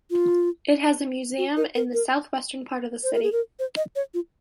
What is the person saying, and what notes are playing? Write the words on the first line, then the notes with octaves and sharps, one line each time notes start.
It has a museum in the southwestern part of the city.
F4
F#4
A#4
A#4
A#4
C5
A#4
G#4
A#4
C5
D#5
C#5
F4